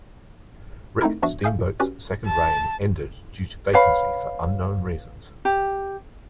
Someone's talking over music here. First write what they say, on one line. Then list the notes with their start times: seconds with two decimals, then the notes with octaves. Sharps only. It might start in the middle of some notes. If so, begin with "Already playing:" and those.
Rick Steamboat's second reign ended due to vacancy for unknown reasons.
1.01 A3 C4 D#4 E4 A#4
1.22 F3 B3 D4 F#4 E5
1.44 A4 E5 F5 G#5 D#6 G6
1.59 A#2
1.80 C#4 F#4 G4 B4 D5
2.26 A5
3.73 B4 C#5 F5 B5
5.45 G4